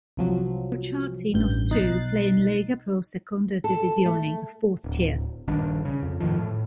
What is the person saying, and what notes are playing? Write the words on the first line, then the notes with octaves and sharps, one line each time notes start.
Crociati Noceto play in Lega Pro Seconda Divisione, the fourth tier.
C2 F3 F#3
A1 G2 G6
B1 D#4 F#6 A6 C7
A4
A3
D1
A#1 G2 D#3 D4
C#3
F2
A2 C3 D#3 F3
A2